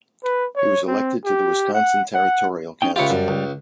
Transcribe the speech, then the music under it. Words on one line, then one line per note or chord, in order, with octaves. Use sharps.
He was elected to the Wisconsin Territorial Council.
B4
C#5
C4
G4
F#5
F#5
C#4 D#4 G5
C#2 E4 F4 G4 C#5
F#2 G3
C#2